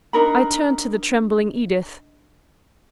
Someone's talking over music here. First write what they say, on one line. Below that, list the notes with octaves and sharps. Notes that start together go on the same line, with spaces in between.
I turned to the trembling Edith.
D4 D#4 A#4 B5